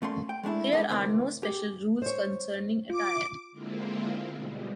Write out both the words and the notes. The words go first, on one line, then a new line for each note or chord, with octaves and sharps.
There are no special rules concerning attire.
A#2 A3 C#4 F#5 C6
G5
G#3 A3 D4 E4
G#3 B3 D4 G#4 A4
C#2 A2 D#3 C4 D5 C6
G4 G#4
C5 C#5
F4 D6
D3 G#3 A#3 C4 E4 F4
B2 G3 G#3